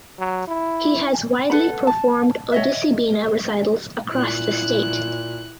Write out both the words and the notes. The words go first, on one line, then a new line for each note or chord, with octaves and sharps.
He has widely performed Odissi Bina recitals across the state.
F#3
E4
A4 B4 F#5 B5
A5
C#5 D#5 E5
A#2 E4 F#6